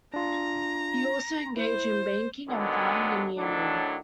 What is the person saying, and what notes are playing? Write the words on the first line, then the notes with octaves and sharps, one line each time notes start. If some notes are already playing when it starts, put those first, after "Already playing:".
He also engaged in banking and farming in the area.
D4 F4 A#5
E4 C5
D3 D#3 F#3 G#3 B3
A2 D#3 F#3 D4